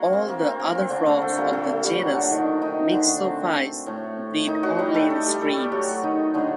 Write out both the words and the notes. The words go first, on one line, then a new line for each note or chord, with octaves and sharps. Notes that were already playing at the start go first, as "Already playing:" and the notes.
All the other frogs of the genus "Mixophyes" breed only in streams.
Already playing: A3 A#3 D4 F#4
C4
A#3
C4
A#3
C4
D3 D4
A3 A4
A3 A4
A#2 G3 A#3 A#4
A3 A4
A3 A4
G3 G4
F#3 F#4
D3 D4
D#3 D#4
D#3 D#4
D3 D4
C4
A2 A3
D#3 D#4
F#3 F#4
G3 G4
A3 A4
A3 A4
G3 G4
A3 A4
G3 G4
F#3 F#4
D#3 D#4
A2 D3 A3 D4